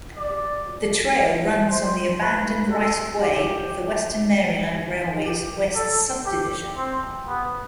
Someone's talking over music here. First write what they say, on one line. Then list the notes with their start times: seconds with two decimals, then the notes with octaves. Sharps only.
The trail runs on the abandoned right-of-way of the Western Maryland Railway's West Subdivision.
0.17 D5
1.70 C5
2.21 B4
2.71 A4
3.23 G4
5.25 G4
5.76 A4
6.26 G4
6.77 C4
7.28 B3